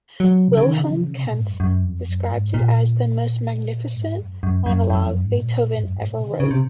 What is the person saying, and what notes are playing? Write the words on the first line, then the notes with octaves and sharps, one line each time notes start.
Wilhelm Kempff described it as "the most magnificent monologue Beethoven ever wrote".
F#3
C3
C#3
D#3
C#3
F3
C#3
C3
A#2
G#2
F#2
F#2
F2
F#2
G#2
A#2
G#2
F#2
F#2
F#2
F#2
F2
F#2
G#2
A#2
G#2
F#2
G#2
A#2
C3
D#3
C#3
C3